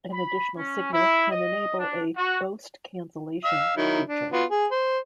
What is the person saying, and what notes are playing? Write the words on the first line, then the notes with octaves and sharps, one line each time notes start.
An additional signal can enable a "Ghost Cancellation" feature.
B5
C#4
E4
D#5
D4
F#4
F5 E6
D#3 F#3 E4
D4
B3 F4 F#4
G#4
C5